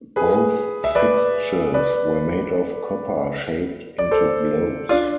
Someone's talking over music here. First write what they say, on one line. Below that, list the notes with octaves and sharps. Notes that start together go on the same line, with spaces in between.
Both fixtures were made of copper shaped into globes.
G#4 B4
E5
B4 D5
B4 D5
D5
A4 C5
D4 F4